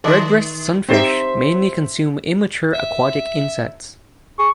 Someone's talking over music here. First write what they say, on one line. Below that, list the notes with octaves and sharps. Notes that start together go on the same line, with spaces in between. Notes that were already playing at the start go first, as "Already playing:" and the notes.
Redbreast sunfish mainly consume immature aquatic insects.
D#3 A4 D5 D#5
C4 D#4 G4 C5 E5
E5
G#4 C#6